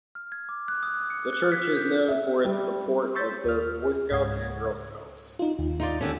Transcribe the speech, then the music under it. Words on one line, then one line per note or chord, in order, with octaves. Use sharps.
The church is known for it support of both Boy Scouts and Girls Scouts.
F6
G#6
D6
F#6
D#6
C#7
F#6
B6
G6
E5
G3
C6 C#6 E6 G6 A6 B6
D#2 F6
C#2 G#2 F#5 G#6
D#4 F4
D#2
D#4 F4 D5
D#2 D3 C#4